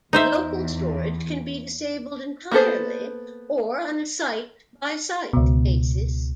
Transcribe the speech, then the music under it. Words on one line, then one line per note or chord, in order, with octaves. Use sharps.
Local storage can be disabled entirely or on a site-by-site basis.
E2 D#4 C5 E5
A#3 B3 A4 C5
C#2 B2